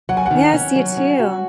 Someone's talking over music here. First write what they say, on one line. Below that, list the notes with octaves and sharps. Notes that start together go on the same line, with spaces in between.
Yes, you, too.
F#3 F#5
G#5
D#3 F#5
C#4
F#3
C#4
F#4